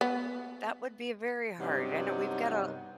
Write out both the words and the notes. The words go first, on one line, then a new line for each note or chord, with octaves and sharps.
that would be very hard. I know we've gotta
B3
G2 C3 F#3 G3 B3 D#4